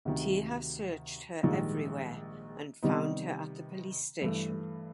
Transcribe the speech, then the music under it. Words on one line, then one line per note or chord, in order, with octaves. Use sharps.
Thiha searched her everywhere and found her at the police station.
D2 C3 D#3
A#1 G#2 D#3 G3
C3 D#3 G3 B3 D#4
G2 E3 A3